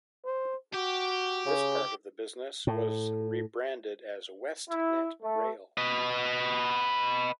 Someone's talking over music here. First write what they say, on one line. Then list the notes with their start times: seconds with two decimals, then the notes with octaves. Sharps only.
This part of the business was rebranded as WestNet Rail.
0.25 C5
0.74 F#4 G4
1.46 C#3
2.67 A2
4.69 E4
5.22 A3
5.78 B4 D#5